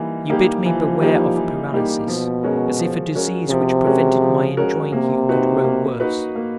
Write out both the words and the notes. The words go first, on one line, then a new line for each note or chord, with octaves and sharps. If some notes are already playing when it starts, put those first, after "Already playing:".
You bid me beware of paralysis; as if a disease which prevented my enjoying you could grow worse!
Already playing: E3 G3 A#3 D#4
G3 A#3 D#4 G4
E3 F3
G3 A#3 D#4 G4
E3
G3 A#3 D#4 G4
B2 F3
G#3 C#4 F#4 A#4
F3
G#3 C#4 F#4 A#4
C3 F3
G#3 C#4 F#4 A#4
F3
G#3 C#4 F#4 A#4
C3 A#3
D#4 F#4 B4
A#3
D#4 F#4 B4
A#3